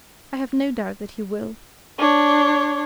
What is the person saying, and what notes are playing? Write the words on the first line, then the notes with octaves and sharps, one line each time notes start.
I have no doubt that he will.
D4 C#5